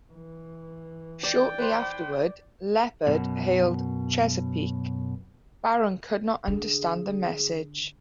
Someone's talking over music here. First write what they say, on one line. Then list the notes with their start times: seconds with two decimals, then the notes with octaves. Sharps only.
Shortly afterward "Leopard" hailed "Chesapeake"; Barron could not understand the message.
0.12 E3
1.23 D5 G5
1.58 B4 C5
3.07 F#2 B2
6.48 D3 G#4